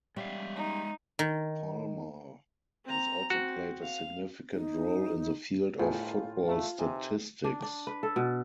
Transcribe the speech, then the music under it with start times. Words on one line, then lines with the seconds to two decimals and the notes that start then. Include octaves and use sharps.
Palmer has also played a significant role in the field of football statistics.
0.16 G3 G#3 C#4 E5 F5
0.56 D#4
1.19 D#3
2.85 C4 A#5
3.30 C4 F#4
3.82 F5
4.53 D#4
5.79 G1 A2 F4 G#4 C5 G#5
6.48 A3 F5 A5
6.79 C3 D#4 B4 G#5
7.44 D4
7.62 D4
7.87 B4
8.03 A4
8.16 B2